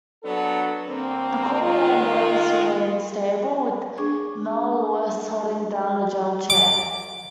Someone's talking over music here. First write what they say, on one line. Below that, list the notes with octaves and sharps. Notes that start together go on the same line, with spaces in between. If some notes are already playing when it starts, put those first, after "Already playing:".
The core band always remained stable with Mel Lewis holding down the drum chair.
F#3 B3 D4 A4
D2 A#3 C4
D#3 G#3 F4
D4 G#4 C#6
D6